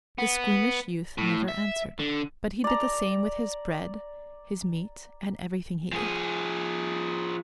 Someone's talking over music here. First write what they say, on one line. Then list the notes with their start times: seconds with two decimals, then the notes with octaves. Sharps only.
The squeamish youth never answered, but he did the same with his bread, his meat, and everything he ate.
0.18 B3
1.18 A2
1.48 E5
2.00 D3
2.64 D5 A#5
5.93 F3 G#4